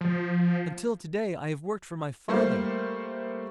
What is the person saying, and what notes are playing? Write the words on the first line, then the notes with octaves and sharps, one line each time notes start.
Until today I have worked for my father.
F3
G3 A3 A#3 C5